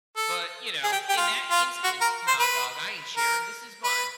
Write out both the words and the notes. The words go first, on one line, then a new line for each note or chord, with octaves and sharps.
But, you know, in that instance, "Nah, dawg. I ain't sharing. This is mine."
A4
G#4
G4
G4
F4
F4
F#4
A#4
C5
B4
A#4
B4